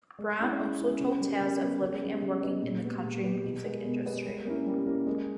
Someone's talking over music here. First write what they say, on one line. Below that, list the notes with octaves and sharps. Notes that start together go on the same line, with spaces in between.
Brown also told tales of living and working in the country music industry.
G#3
C#4 E4
G#3
C#4 E4
C#3
G3 B3 G4 A#4
C#3
G3 B3 G4 A#4
C#3
G3 B3 D#4 G#4
C#3
G3 B3 D#4 G#4
A#2
G#3 B3 G4
A#2
G#3 B3 G4
B2
G#3 B3 G4 A#4
B2
G#3 B3 G4 A#4
G3
A#3 C#4 E4 A#4
G3
A#3 C#4 E4 A#4
G#3